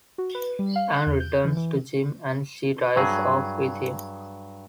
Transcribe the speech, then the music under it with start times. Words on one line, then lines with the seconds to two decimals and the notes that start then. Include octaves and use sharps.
Ann returns to Jim and she drives off with him.
0.18 F#4
0.35 B4
0.59 G3
0.76 F5
0.93 F#6
1.07 E2
1.20 G6
1.45 E3
1.57 E3
2.96 G2 F#3 G#4